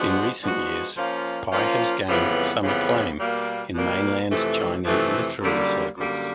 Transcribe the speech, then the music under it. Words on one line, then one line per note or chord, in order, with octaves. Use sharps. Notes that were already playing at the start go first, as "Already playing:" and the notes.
In recent years, Pai has gained some acclaim in Mainland Chinese literary circles.
Already playing: F3 G#3 B3 D4 F#4
F3 G#3 B3 D4 F#4
F3 A#3 C#4 F4
F3 A#3 C#4 F4
F2 C#3 E3 G3 B3
F2 C#3 E3 G3 B3
B2 G3 A#3
B2 G3 A#3
F2 C3 E3 A3
F2 C3 E3 A3
F#2 D3 G3 A#3
F#2 D3 G3 A#3